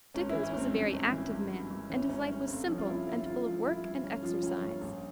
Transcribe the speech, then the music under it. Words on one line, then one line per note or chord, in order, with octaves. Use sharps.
Dickens was a very active man, and his life was simple and full of work and exercise.
G#1 C#4
E4
E3
C#4
G#1
C4
G2
G#1
E3
G#1
G2
G#1
E3 C#4
G#1 C#4
G2 C#4
G1 C4
F3 C#4
F4
G1 E4
G2 E4
G1 F4
F3 F4
G1 E4
G2 E4
G1 C#4
F3 F4
G1 C#4
G2 C#4
A#1